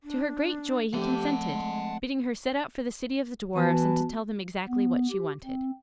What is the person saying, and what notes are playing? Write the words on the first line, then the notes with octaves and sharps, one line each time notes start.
To her great joy he consented, bidding her set out for the city of the dwarfs and to tell them exactly what she wanted.
D4
F3 A3 C4 G4 F#5 A5
G#3
E3 B3 F#4 A5
B3
G4
C4